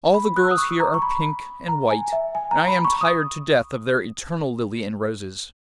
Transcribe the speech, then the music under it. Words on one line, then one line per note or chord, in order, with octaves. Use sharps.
All the girls here are pink and white, and I am tired to death of their eternal lilie and roses.
B5
F#6
E6
D#6
C#6
A#5
C#6
B5
A#5
G#5
E5
G#5
A#5
B5
C#6
D#6